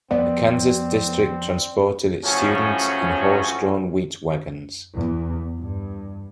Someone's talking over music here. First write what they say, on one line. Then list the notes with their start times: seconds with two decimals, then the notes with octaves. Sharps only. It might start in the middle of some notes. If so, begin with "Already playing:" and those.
A Kansas district transported its students in horse-drawn wheat wagons.
0.11 F2 F3 G3 B3 C4 D5
2.25 A1 A2 C#3 F3 F#3 C#4
4.94 E2
5.58 G2